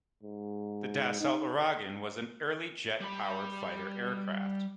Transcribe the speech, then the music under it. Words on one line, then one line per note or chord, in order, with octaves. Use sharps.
The Dassault Ouragan was an early jet-powered fighter aircraft.
G#2
D#4
G3 B5